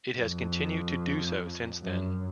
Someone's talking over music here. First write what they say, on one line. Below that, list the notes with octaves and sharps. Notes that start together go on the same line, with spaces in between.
It has continued to do so since then.
F2
F#2